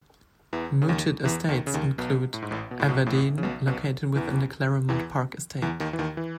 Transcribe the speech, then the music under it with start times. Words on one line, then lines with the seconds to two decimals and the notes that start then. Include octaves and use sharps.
Mooted estates include "Evadene", located within the Claremont Park estate.
0.53 E2 E3
0.82 C#3
0.89 D#2 D#3
1.25 E2 E3
1.49 D#2 D#3
1.67 C#3
1.74 D#2 D#3
1.98 B1 B2
2.34 A2
2.42 G#2
2.51 A1 A2
2.71 B2
2.80 A2
2.89 B1 B2
3.06 A1 A2
3.38 C#3
3.43 B1 B2
3.67 B1 B2
4.16 E2 E3
4.89 E2 E3
5.62 E2 E3
5.80 D#2 D#3
5.93 E3
5.99 D#2 D#3
6.17 E3